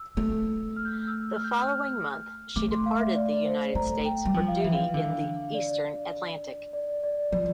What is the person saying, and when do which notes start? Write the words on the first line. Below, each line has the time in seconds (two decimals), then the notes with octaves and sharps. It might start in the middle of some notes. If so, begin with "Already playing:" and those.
The following month, she departed the United States for duty in the eastern Atlantic.
Already playing: E6
0.17 A3
0.76 F6
0.85 G6
0.92 F6
1.07 E6
1.36 F6
1.44 G6
1.51 F6
1.67 F6
1.96 F6
2.56 A3 D6
2.71 C6
2.86 F5
3.00 E5
3.15 D5
3.45 C5
3.75 A3 A#5
4.05 G5
4.26 G3
4.34 F3 G5
4.48 F5
4.60 E3 E5
4.74 F5
4.94 D3
5.54 D5
6.73 D5
7.03 D5
7.32 F3 D5